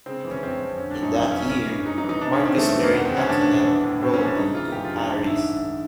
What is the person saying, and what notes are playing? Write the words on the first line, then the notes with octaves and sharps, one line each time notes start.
In that year, Marcus married Antoinette Brody in Paris.
C#3 C4
E3
C#4
F2 C4
F2
D3 C#4
D4
F#2
D#4
E4
F#2 D#4
D3 C#4
E3 C#4
G2
G2 D#4
D#4
E3
D#4
C3 D4
C#4
D#3
C4
E2 A3
E2
A#3
B2 B3
C4
E2
C#4
E2 D4
D4
B2
D4
E3
A2
A2 C4
C#4
E3
D4
C#3 D#4
E3 F4
F#2 G4
F4
F#2
D#4
D#3 D4
G#2 E4
G#2
D#3